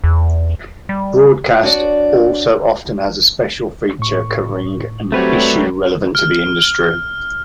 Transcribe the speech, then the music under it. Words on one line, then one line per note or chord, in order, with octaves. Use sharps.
"Broadcast" also often has a special feature covering an issue relevant to the industry.
E2
G3
D4 F#4 C#5 D5
A2 C#6
F#3 G3 A3 C4 B4 C#5
F6